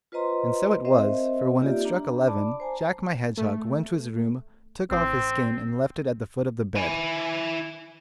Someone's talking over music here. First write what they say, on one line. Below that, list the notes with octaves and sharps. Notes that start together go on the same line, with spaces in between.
And so it was, for when it struck eleven, Jack my Hedgehog went to his room, took off his skin and left it at the foot of the bed.
F4 B4 C5 D#5 A#5 C6
C4 A#4 C5 D#5 E5
A#3 D#4 F4 G4 D5 E5
D4 A#5
D5 A5 B5 D6
C5 G#5 A#5
A3
A1 C4
E4 G#5